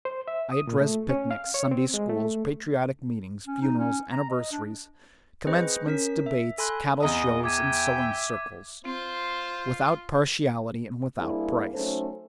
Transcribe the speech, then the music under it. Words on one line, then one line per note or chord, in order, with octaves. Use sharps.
I addressed picnics, Sunday-schools, patriotic meetings, funerals, anniversaries, commencements, debates, cattle-shows, and sewing-circles without partiality and without price.
C5
E5
D#6
A#2
A3
C#4
F5
C#5
C4
G#3
A3
C#4
D#4
C#4
A#5
D#5
D4
C4 G#4 B4 C5 D#5
C#4 A#4 B6
E5
A4 G#5 B5 C6 F#6
E2 D#5 A#5 D#6
E5 G5 D6 G#6 D#7
C4 F4 C5
G3 A#3 C4 D4 E4 G#4
F#3 A3 C#4 D#4 A4 C5